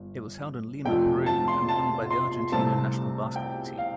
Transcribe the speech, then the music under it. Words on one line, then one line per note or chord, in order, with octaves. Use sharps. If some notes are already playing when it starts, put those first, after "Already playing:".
It was held in Lima, Peru and won by the Argentina national basketball team.
Already playing: G1
F1 F2 F3 A3 G5
A5
C6
A5
C6
C2 C3 A3 C4 A5
G5
F5